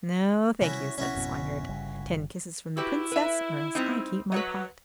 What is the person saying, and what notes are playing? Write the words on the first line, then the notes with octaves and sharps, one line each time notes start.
'No, thank you,' said the Swineherd. 'Ten kisses from the Princess, or else I keep my pot.'
C3 G3 C#4 E4 F#4
C3 C#4 E4 F#4
G#1 F2 B2
G1 C#3 G3
E4 F#4 G4 B4
B4 E5
G3 C4 D#4
F#3 B4 C#5 D#5